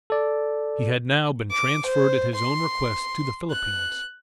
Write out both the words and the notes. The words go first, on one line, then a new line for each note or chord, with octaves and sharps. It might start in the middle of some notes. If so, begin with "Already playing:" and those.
He had now been transferred at his own request to the Philippines.
A4 D5
D6
C5
C6
F#6